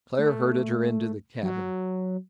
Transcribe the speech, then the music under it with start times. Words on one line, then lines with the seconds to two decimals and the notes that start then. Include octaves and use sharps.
Claire herded her into the cabin.
0.19 A3
1.43 F#3